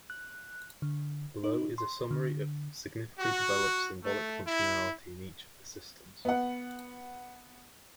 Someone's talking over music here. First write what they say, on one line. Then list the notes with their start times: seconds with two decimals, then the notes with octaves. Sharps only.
Below is a summary of significantly developed "symbolic" functionality in each of the systems.
0.10 F#6
0.82 D3
1.44 D#4
1.78 C6
2.11 D3
3.19 F#4
4.03 A3
4.47 E4
6.25 B3 F#5